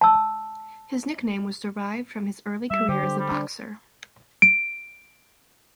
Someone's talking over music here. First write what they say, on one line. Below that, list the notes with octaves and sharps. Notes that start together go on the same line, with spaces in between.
His nickname was derived from his early career as a boxer.
A5 E6
G3 E5
D3 G4 C5
C5
G3
D4
D7